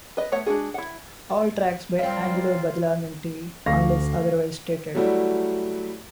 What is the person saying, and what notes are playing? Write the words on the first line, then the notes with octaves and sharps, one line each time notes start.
All tracks by Angelo Badalamenti unless otherwise stated.
B4 D#5
A3 B3 C#5 F#5
G#3 C4 D4 F#4 G#4
E4 F#5
A#2 G3 C4 F4 F5
D2 F5 C#6 A#6
F#3 G3 A3 E4 F#4